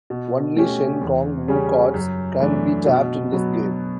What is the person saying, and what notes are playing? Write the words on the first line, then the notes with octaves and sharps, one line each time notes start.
Only Shen Gong Wu cards can be tapped in this game.
B2
A3 C#4 G4
E2
C#3 G3 C#4
F#2
E3 A3 D4
B2
F#3 B3